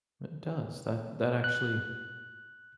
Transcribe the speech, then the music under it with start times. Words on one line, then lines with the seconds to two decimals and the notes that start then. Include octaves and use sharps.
But it does, that that actually
1.44 F#6